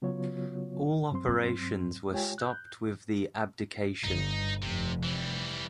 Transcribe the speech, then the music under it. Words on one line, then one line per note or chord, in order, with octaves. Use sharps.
All operations were stopped with the abdication.
C#3 F#3 B3 F4 F#4 C#5
G2 F#3 C4 C6
G#3 F4 G4 C#5 G5 G#5
F#6 G6
G1 D#4
F1 C3
E3 G3